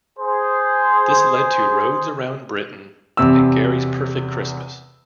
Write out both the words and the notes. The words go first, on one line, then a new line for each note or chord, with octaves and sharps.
This led to "Rhodes Around Britain" and "Gary's Perfect Christmas".
G#4 C5
E2 C3 E6